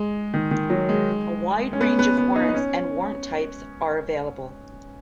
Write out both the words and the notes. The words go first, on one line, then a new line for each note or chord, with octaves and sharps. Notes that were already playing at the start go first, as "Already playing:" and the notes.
A wide range of warrants and warrant types are available.
Already playing: G#3
D#3
D#3
F#3
G#3
C#4
B3
B3
B3
D#4
B3
C#4